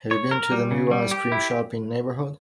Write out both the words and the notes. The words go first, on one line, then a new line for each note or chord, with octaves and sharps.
Have you been to the new ice cream shop in neighborhood?
C#5
A#4
G3
C#3
G3
G4
E4